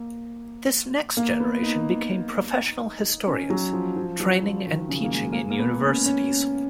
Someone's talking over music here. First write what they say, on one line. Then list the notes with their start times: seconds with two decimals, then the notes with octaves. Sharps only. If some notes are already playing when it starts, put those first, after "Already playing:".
This next generation became professional historians, training and teaching in universities.
Already playing: A#3
1.17 A#3
1.40 B3
1.63 D#4
3.27 C#4
3.50 F#3
3.73 F3
3.96 F3
4.20 F#3
4.43 F3
4.67 D#3
4.89 C#3
5.04 A#3
5.13 G#3
5.32 A#3
5.35 G#3
5.50 A#3
5.59 B3
5.83 C#4
6.06 C#4